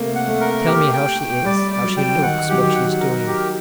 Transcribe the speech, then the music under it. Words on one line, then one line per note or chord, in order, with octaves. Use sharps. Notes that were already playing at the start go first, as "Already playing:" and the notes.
Tell me how she is, how she looks, what she is doing.
Already playing: C3 A3 A#3
F#5
A3
A#4
G4
G5
G5
G3 D5
D5
F#3
G5
D#3 F#5
F#3 G4
D#3
F#5
A#4
G4